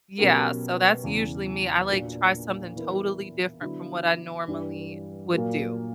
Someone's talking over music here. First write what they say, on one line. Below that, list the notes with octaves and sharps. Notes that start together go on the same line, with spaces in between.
yeah, so that's usually me, I, like, try something totally different from what I normally would do.
B2 F#3 C#4 G4 A#4
E2 C#3 E3
A#2 A#3 D4 F#4
E3 B3 E4 A#4
D3 F#3 B3 E4
G2 E3 G3
A#2 F#3 A#3